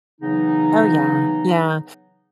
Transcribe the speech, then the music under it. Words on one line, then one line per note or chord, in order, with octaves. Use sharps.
Oh, yeah. Yeah.
C#3 E3 F#3 B3 D#4